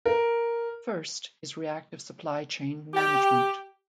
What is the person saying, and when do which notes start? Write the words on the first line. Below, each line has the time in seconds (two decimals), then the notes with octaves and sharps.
First is reactive supply chain management.
0.06 A#4
2.94 G4